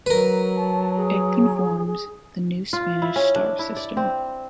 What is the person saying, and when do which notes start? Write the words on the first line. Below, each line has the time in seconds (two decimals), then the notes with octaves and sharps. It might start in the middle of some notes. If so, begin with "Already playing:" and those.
It conforms the new Spanish star-system.
0.06 F#3 A#4 B4
0.56 A5
0.97 G#4
1.87 G#4
2.73 F4
3.02 E4
3.16 C#4
3.36 D4
3.59 E4
3.76 D5
3.97 C4